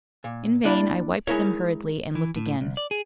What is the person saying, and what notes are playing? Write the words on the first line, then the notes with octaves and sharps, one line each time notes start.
In vain I wiped them hurriedly and looked again.
A#2
A#3 D4 E4 D5 B5
G#3 D#4 E4 A#4 C#5
E3
A2
C2
D5
G#4